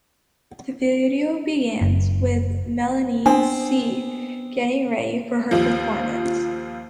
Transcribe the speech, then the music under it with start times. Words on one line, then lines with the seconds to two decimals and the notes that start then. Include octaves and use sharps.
The video begins with Melanie C getting ready for her performance.
1.81 F#1
3.26 B3 C4 D4
5.51 D#2 F3